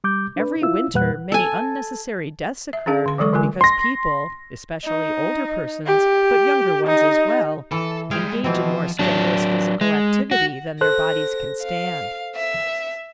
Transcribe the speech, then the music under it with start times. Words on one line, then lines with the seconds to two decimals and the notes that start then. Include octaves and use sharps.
Every winter many unnecessary deaths occur because people--especially older persons, but younger ones as well--engage in more strenuous physical activity than their bodies can stand.
0.04 G3 D6 G6
0.36 D4 B4
0.62 E4 F4 E6
0.94 E2 A#2 G3 B4 F#5 F#6
1.32 A4 G#5
2.73 E5
2.86 C#4 D4 G#4 F5 A5
3.06 D3 C6
3.18 E3 F#3 G#3 A4 C#6
3.33 D3 G#3 F4 A#4 G#5
3.61 C6 A#6
4.85 D#4
5.86 G4
6.87 D#4
7.72 E3 A4
8.11 G3 G#3 G#4 F5 G5
8.44 B2 E3 F3 C4
8.99 F#3 D4
9.81 G#3
10.31 F#4
10.81 A4 C5 F#6 A#6
11.63 F5
12.36 E5